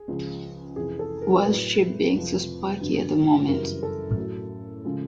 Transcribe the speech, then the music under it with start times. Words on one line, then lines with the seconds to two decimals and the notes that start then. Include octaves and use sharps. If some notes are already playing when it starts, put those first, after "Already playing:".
Why's she being so spiky at the moment?
Already playing: G#4
0.08 C#2 C#3 F3
0.76 F2 C3 E3 G#4
0.99 A4
1.22 A#4
1.45 A2 F#3 B4
2.13 F2 C3 F3
2.81 G2 D3 F#3
3.48 F#2 C#3 E3 G3 A#4
3.83 A4
4.16 A2 F#3
4.85 C#3 F3 G#3